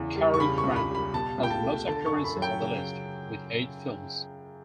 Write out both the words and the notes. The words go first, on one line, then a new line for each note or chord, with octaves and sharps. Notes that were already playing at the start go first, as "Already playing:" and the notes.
Cary Grant has the most appearances on the list, with eight films.
Already playing: E2 C#3
G3
C#6
C#3 B5
C#6
C#2
B5
G3
B5
B2 A5
C#2
G5
A5
A3
D3 A5
C#6
F#2
B5
F#3
G5
C#3